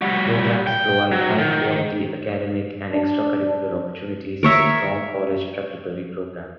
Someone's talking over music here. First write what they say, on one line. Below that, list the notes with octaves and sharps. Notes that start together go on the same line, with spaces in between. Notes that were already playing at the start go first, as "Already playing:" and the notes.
Programs provide high-quality academic and extracurricular opportunities with a strong college preparatory program.
G3 F#4
G5
F#3
D#3
D4
A#4 C#5 E5